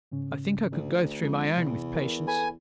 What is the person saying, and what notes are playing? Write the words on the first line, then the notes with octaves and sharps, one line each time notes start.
I think I could go through my own with patience.
G#2 C#3 C#4
D2
F2 G#3
E2 C3
A#4
A4 B4 G#5 B5